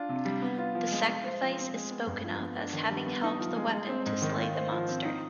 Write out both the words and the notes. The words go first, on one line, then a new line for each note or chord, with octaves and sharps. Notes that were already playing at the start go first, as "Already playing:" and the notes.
The sacrifice is spoken of as having helped the weapon to slay the monster.
Already playing: D4 F4
C3
G3
B3
F4
F3
G#3
F4
C5
F3
C4
G#3
B3
G2
F3
B3
D4
D#3
G3
B3
D#4
F3
G#3
G#3
C4
G#2
D#3
F4
C5
F3
C4
D#4